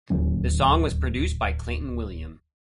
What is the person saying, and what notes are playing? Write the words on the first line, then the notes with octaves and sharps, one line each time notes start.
The song was produced by Clayton William.
D1 D#2 F#3 C#4